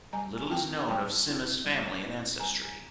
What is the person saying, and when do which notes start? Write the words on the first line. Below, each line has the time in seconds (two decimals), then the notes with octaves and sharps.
Little is known of Sima's family and ancestry.
0.13 G3 G#5 A#5
0.51 C4 E4 G5 A5
0.88 G3 G5 A5
1.27 C4 E4
1.65 G3
2.02 C4 E4
2.40 G3 G#5 A#5